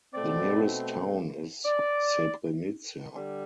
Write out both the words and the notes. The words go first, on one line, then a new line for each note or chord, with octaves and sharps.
The nearest town is Srebrenica.
B2 A3 C4 D5
D5
D3 G3